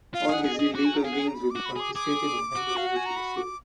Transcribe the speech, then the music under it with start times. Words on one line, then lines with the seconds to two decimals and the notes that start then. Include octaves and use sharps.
All his illegal gains will be confiscated and handed over to the State.
0.14 F4 F5
0.29 G#4 F#5
0.44 G#4
0.54 D#5
0.59 G#4
0.75 F#4 D6
0.85 G#5
0.95 A#5
1.04 G#4 F5
1.12 F#5
1.19 G#5
1.28 A#5
1.34 B5
1.50 F#4 D6
1.66 B5
1.76 G#4 D6
1.95 G#4 D6
2.56 F#4
2.77 F5
2.87 F#5
2.96 G#5
3.06 A#5
3.17 B5
3.36 D6